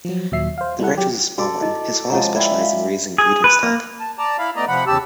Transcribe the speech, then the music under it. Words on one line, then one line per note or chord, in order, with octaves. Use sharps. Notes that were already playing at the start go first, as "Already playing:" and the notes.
The ranch was a small one; his father specialized in raising breeding stock.
F3 F#3
D#2 A#2 F#3 E5 C7
C5 F5
G3 E4 A4 F#5
F#3 G4
F#4 A4 D5
E4 D#5
F3 G#3 C#5 F#5 A#5
E4 D5 G5
F5
G#4
B4
A#3
A5
D5 A5 A#5
E4 F5 B5
A3 B3 D5 D#5 A#5
C3 F3 F#5 B5
E2 C#3 G4 A5 E6